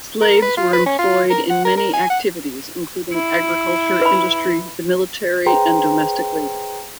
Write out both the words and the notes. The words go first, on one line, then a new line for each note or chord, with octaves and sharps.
Slaves were employed in many activities, including agriculture, industry, the military, and domestic labor.
A#4
B4
F4
B4
C#4
F4
A#4
F#5
A#4
A#4
G#5
F#5
E4
B4 B5
G#4 B4 C5 G5 A#5 C6